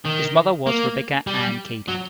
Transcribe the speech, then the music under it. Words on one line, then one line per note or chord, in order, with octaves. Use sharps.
His mother was Rebecca Anne Cady.
D#3
A#3
G3
F#3